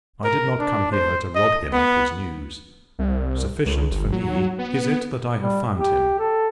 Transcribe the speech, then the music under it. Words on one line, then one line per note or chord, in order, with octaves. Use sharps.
I did not come here to rob him of his news. Sufficient for me is it that I have found him.
A#4
D4
C5
D#5
B3
C2
C#2
G1
F#3
B3
G3
G4
A4